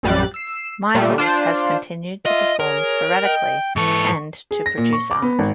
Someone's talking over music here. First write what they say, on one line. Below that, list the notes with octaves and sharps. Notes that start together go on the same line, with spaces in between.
Michaels has continued to perform sporadically and to produce art.
A#1 F#2 G3 F#6 A6
E6 C7
A#2 G3 A3
D4 F4 C5
F4 D#5 E5
G#4 A#4 C#5
D#5 G5
G#2 E3 A4 C#6
G#4
A#6
A#2
C#6
D6
B3
G#1